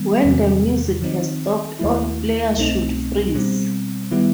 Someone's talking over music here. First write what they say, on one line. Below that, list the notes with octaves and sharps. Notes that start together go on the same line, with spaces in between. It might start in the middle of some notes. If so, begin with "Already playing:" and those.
When the music has stopped all players should freeze.
Already playing: D#3 G3 B3
E2 C3 D#3 F#3
D#3 F#3 C4 D#4
D#2 D#3 F#3 A3 E4
C2 B2 A3 C4 D#4
B2 G3 C4
D#3 G3 B3 E4